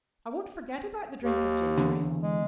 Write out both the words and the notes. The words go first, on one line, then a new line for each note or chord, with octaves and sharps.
"I won't forget about the drink of ginger-ale."
D#2
E2 D3
G#3